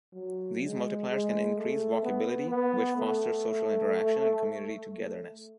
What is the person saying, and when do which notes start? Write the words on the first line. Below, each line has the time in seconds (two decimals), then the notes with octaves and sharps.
These multipliers can increase walkability, which fosters social interaction and community togetherness.
0.14 F#3
0.62 G#3
1.09 G#3
1.56 A3
2.03 B3
2.49 B3
2.97 A3
4.86 A3